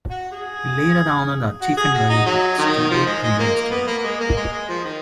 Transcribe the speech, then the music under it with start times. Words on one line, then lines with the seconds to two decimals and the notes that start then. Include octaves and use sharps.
He later owned a Tiffany lamp studio in Amsterdam.
0.11 F#4
0.32 G#4
1.61 F#4
1.77 G#4
1.94 F#4
2.10 D#4
2.26 F#3
2.58 D#3
2.91 F3
3.07 G#3
3.23 G#3
3.39 A#3
3.55 A#3
3.71 B3
3.87 A#3
3.98 A#3
4.04 G#3
4.20 A#3
4.36 G#3
4.52 G#3
4.69 F3
4.85 D#3